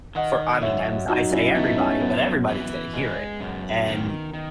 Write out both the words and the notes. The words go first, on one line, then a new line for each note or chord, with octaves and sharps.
for, I mean, I'm I say everybody, but everybody's gonna hear it, and
D#3 D#5 F#5
F#2 C#5 E5
F#2 D#4 F#4
C#4 E4
A3 B3 D#4
C#4
F#2 B3
E3
G#3
F#2
D#3
D#3